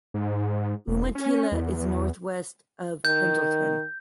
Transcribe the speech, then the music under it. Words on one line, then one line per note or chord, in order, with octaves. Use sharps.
Umatilla is northwest of Pendleton.
G#2
E1
C#4
E2
E2
D#3 G6